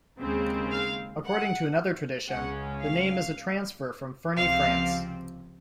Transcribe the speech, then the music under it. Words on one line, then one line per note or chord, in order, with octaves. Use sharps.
According to another tradition, the name is a transfer from Ferney, France.
D#2 C#3 G#3 C4
F5
F#5
C#2 C#3 G#3 C#4 F#5
F5
C#2 C3 F3 C4 F5